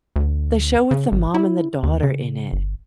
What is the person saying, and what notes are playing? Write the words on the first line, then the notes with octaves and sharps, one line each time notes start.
the show with the mom and the daughter in it.
D2
C#3
G#1
E4
D#2
C#3
G1